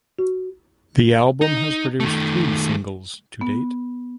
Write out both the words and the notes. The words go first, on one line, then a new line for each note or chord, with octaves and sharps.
The album has produced three singles to date.
F#4
D#4
D#3 A3
B3